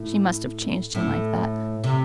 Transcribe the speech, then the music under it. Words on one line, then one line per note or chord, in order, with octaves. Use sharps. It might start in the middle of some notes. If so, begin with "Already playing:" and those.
She must have changed him like that.
Already playing: A2
A2
C3